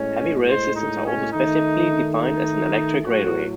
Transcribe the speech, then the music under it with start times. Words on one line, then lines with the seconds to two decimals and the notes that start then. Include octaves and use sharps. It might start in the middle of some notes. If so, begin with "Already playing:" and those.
Heavy rail systems are also specifically defined as an "electric railway".
Already playing: A2 G#3 C#4
0.46 C5
0.74 D#4
1.03 C#4
1.31 D#3 A3 D#4
2.18 D#4
3.04 A2 F#3 A3 F#4